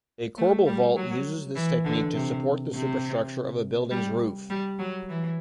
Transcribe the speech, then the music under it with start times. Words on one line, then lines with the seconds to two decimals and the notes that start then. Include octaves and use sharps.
A corbel vault uses this technique to support the superstructure of a building's roof.
0.38 A3
0.66 G3
0.96 F#3
1.56 E3
1.84 D3
2.14 C3
2.73 C3
3.91 G3
4.50 G3
4.79 F#3
5.09 E3